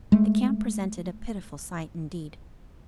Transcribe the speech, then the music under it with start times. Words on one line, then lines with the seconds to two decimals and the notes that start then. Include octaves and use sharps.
The camp presented a pitiful sight, indeed.
0.12 G#3 A3